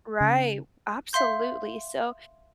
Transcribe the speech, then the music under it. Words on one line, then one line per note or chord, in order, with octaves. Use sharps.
Right. Absolutely, so,
C#3
E5 F5 C6 G6